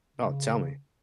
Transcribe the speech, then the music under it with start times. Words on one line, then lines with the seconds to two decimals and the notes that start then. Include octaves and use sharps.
Oh, tell me.
0.17 C#3